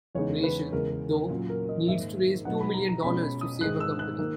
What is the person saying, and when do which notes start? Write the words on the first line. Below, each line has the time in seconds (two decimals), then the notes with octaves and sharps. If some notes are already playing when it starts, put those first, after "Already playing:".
Rachel, though, needs to raise two million dollars to save her company.
0.15 E2 C#3 G#3 D#4 C#5
0.44 B4
0.72 E2 C#3 G#3 A#4
0.92 A#4
1.11 A#4
1.30 A#2 F#3 C#4
1.50 A#4
1.69 D#5
1.88 G#2 D#3 A#3 D#4 E5
2.45 B2 F#3 B3 D#4 F#5
2.60 B5
2.74 A#5
2.89 A#5
3.03 B2 G#3 C#4 B5
3.23 B5
3.41 D#6
3.61 G#2 D#3 G#3 F#6
3.80 E6
3.99 F#6
4.18 D#3 A#3